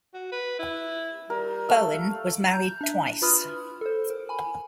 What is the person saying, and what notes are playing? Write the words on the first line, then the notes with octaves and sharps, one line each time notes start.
Bowen was married twice.
F#4
B4
E4
G3 A#4
A3 F5
A#5 G6
D4 E5
F4 B4 B5 D#6 F6
A4 C5
A#4
G#5 B5